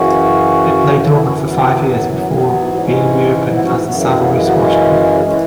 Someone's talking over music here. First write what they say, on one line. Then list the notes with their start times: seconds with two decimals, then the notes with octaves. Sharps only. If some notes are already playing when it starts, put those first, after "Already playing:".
It lay dormant for five years before being reopened as the Savoy Squash Club.
Already playing: F#2 C#3 E3 C#4 F#4
1.11 F#2 E3 B3 E4
1.22 C#4 F#4
1.36 C#4
1.45 F#3 B3
2.14 F#3 B3
2.31 F#3 B3
2.49 G#2 E3
2.74 B3
2.82 G#3 C#4
3.51 B3 E4
3.63 C#4 F#4
3.85 F#2 C#3 E3 F#3 B3
3.97 F#3
4.08 G#3
4.19 F#3 B3
4.31 G#3
4.42 F#3 B3
4.54 G#3 C#4
5.23 E3 G#3 C#4